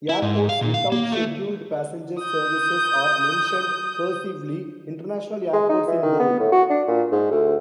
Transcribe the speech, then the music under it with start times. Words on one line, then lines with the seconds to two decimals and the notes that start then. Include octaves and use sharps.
Airports without scheduled passenger services are mentioned "cursively"; international airports in bold.
0.09 E4
0.22 G#2
0.49 F5
0.61 A#2
0.74 F5
0.92 A#3
1.12 A3
2.21 D#6 G6
5.53 G#3
5.69 D#4
5.87 E3
6.03 D#3
6.19 B3
6.40 A2
6.52 F#4
6.70 D4
6.88 A#2
7.12 G#2
7.31 D2